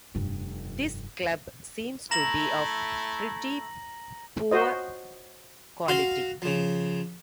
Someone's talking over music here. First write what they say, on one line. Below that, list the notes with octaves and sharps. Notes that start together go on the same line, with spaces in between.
This club seems to be of pretty poor quality.
F1 G2
A3 E4 A#5 A#6 F#7
F#4 C5 D#5
F#4 F5 C6
C#3 F3